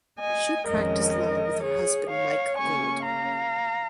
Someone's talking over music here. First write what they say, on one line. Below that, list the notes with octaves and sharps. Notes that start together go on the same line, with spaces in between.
She practiced law with her husband Mike Gold.
D#5 G#5
F2 D#3 G#3 C#4 A#4 D#5
G#4 C#5
C#5 F5
C#3 A#3 C#4 G#5 C#6
F5 A#5